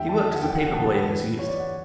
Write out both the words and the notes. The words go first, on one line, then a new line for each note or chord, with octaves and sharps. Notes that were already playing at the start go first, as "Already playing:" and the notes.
He worked as a paperboy in his youth.
Already playing: E2 D3 G3 E5 G5
A5
F#5
E2 D3 F#3 G5
F#5
G5
A5
G5
A5
B4
G2 E3 G3 B4
C#5
D5
F#5